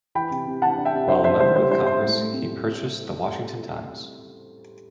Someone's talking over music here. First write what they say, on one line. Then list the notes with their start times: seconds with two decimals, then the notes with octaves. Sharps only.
While a member of Congress he purchased the "Washington Times".
0.15 E3 G5 B5
0.31 C3
0.47 C3
0.62 E3 F#5 A5
0.78 D4
0.85 E5 G5
0.94 C3
1.08 D4 C5 E5
1.24 E3 C5 E5
1.40 G3 C5
1.56 G3 C5
1.71 G3 C5
1.86 G3 C5
2.03 A2
2.18 A2
2.33 C4